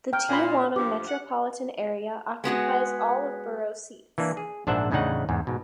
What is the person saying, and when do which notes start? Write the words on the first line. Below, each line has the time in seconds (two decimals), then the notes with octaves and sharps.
The Tijuana metropolitan area occupies all of borough seats.
0.13 G5 A#5 F6
0.29 A#2 G#5 B5
0.76 G2 F3 G4 D6
1.07 F#5
2.44 G#3 B3 F#4 G#4
4.18 E3 A#3 D4
4.37 G#4
4.67 A#1 G#2 D4 C5 E5 F#5
4.91 E2 A2 C#3 D4 D#4 F#5
5.29 E2 G#2
5.47 G#2 B2